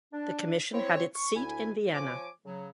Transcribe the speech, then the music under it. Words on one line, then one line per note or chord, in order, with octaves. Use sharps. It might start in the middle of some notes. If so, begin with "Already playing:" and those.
The commission had its seat in Vienna.
D4
C4 E4 C#5
C#6
D2 E4 G#5
F3 C#5 G#5 D6
C#3 F#3